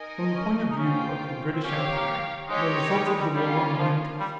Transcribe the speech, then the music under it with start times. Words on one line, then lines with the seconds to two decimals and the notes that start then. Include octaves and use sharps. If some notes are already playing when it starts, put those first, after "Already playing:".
From the point of view of the British empire, the results of the war were momentous.
Already playing: D#4 A#4 D#5 G#5
0.36 C#4
0.70 D#4
0.78 C#4 F4 C5 G5
1.53 C4
1.63 C#4 G4 C#5 F5
1.78 C4
1.92 A#3
2.49 G#3 D#4 G4 C#5
2.92 G3
3.06 G#3
3.20 G3
3.34 G3 A#3 C#4 F4
3.77 F3
4.20 G3